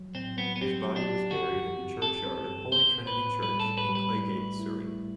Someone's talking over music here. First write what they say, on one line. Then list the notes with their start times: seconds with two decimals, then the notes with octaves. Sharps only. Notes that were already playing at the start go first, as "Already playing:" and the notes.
His body was buried in the churchyard of Holy Trinity Church, in Claygate, Surrey.
Already playing: F#3
0.14 A2 C4
0.38 F#3 B3
0.56 B3
0.61 C4 G4
0.85 F#3
0.96 D4
1.08 G4
1.31 D3 F#4
1.55 G2
1.79 C4
2.02 C4 A4
2.25 C4
2.49 G2
2.72 B3 C5
2.95 A2
3.07 B4
3.19 A2
3.42 G3 B4
3.60 A4
3.66 A2
3.77 B4
3.89 G3
3.95 B4
4.12 A3
4.36 A3
4.59 E4
4.82 A3